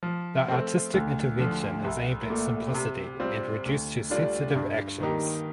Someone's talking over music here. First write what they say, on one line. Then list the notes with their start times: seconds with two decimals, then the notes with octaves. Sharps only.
The artistic intervention is aimed at simplicity and reduced to sensitive actions.
0.03 F3
0.48 A3 C4
0.93 D2
1.38 D3 F3
1.84 C2
2.30 A#2 A3
2.74 C3
3.20 G3 C4 F4
3.66 D2
4.10 D3 G3 D4 F4
4.55 G2
5.00 D#3 A#3 D#4 G4